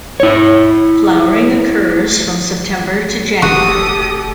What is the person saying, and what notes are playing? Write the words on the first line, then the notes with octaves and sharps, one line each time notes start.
Flowering occurs from September to January.
E4 C#5
F1 F#4 G4 A4 D#6